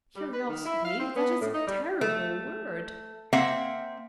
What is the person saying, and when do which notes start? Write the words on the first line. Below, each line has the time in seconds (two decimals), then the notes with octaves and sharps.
"Curiosity--that is a terrible word."
0.16 G3
0.33 B4
0.48 D#3
0.65 E4
0.85 F5
1.00 C4
1.16 B3
1.41 A2
1.54 D#4
1.67 G3
2.01 A3
3.33 A#3 C4 E5 F#5